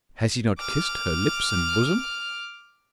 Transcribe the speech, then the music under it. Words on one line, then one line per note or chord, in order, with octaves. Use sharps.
Has he not kissed her lips and bosom?
D6 F6